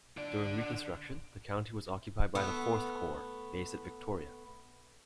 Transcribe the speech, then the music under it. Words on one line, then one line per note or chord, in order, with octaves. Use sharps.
During Reconstruction, the county was occupied by the Fourth Corps, based at Victoria.
D3 D5
A3 B3